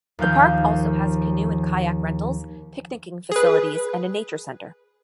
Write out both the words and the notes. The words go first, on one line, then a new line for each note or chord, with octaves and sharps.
The park also has canoe and kayak rentals, picnicking facilities, and a nature center.
D#2 F3 F5 G6
G#4 B4